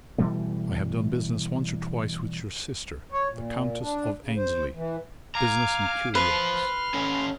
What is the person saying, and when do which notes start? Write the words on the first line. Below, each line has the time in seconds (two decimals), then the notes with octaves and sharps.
I have done business once or twice with your sister, the Countess of Aynesley--business in curios.
0.18 B2 E3 G3 A3
3.12 C#5
3.30 A#2
3.80 D4
4.22 C#3
4.37 C5
4.74 E3
5.35 F5 G#5 A#5 D6
6.15 B4 C5 F5 C6 F6
6.94 C#4 A4 C#5